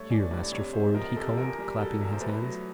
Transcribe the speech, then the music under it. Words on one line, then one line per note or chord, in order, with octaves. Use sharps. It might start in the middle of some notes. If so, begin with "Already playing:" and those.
"Here, Master Ford," he called, clapping his hands.
Already playing: G2 A3 C#5
E3 D5
G2 D5
C3 C#5
G#3 C5
F3 A#4
C3 A4
E2 A#4
G3
B2 A4
E2
C5
A3 B4
F#3